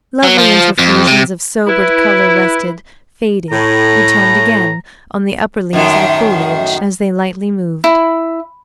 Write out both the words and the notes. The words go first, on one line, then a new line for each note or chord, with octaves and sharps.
Lovely interfusions of sobered color rested, faded, returned again, on the upper leaves of the foliage as they lightly moved.
F#3
F3
F2
C3
E4 B4
A2 A#5
F#2 A2 D#3
E4